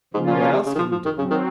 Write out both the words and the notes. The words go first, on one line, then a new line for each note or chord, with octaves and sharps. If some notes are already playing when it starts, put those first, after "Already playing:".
"What else can you do?"
G#2 C#3 F3 A#3 C#4 F4
A#2
A#2
C3
C#3
D#3
F3
F3
D#3
C#3 F#3 C4
D#3